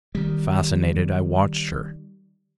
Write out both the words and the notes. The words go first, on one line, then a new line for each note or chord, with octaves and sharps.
Fascinated, I watched her.
D#3 G3